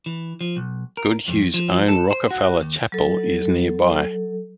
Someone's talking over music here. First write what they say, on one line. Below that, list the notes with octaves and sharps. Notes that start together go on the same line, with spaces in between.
Goodhue's own Rockefeller Chapel is nearby.
E3
F3
B1
A#4
F2
F3
A4
C5
F#4
D#2
F#3 A4